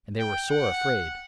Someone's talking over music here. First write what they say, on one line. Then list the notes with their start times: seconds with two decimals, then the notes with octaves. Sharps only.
And they were sore afraid.
0.19 G5
0.51 F#5